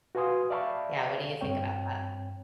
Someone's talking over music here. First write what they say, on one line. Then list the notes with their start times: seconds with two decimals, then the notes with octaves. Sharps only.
Yeah, what do you think about that?
0.15 F#4 B4 F5 G#5 C6 D#6
0.50 D5 E5 F5 A5 B5 C#6
1.41 G2 C4 C#5 G5